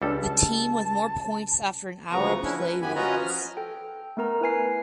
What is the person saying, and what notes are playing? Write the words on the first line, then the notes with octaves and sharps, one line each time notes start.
The team with more points after an hour of play wins.
C#2 G3 D4 A4
A5
D2 C#3 F3 B3 A#5 C#6
F3 C#4 D4 E4
B4
F#2 E3 B3 G4 G#5 B5
C#4 F4 F#4 B4 D#5 A#5
F3 F6
A4 G5
A3 B3 A#4 A#5
E4 B4 G#5 C7